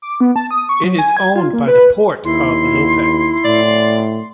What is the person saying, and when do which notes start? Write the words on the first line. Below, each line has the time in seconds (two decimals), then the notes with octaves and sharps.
It is owned by the Port of Lopez.
0.02 D6
0.21 B3
0.36 A5
0.51 D#6
0.69 C#6
0.84 F#3
0.99 G#5
1.17 G#6
1.36 F4
1.53 A#3
1.67 B4
2.25 D#2 E4 C6
3.45 A2 D5